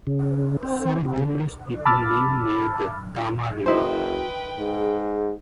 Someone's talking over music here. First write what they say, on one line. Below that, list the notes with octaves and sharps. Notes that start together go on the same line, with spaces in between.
Some homeless people live near the Tama River.
C#3
C4
C3
A5 B5 D6 E6 F6 A6
F#1 D#4 E4 F#4 B4 C5 G5
G#2 G#4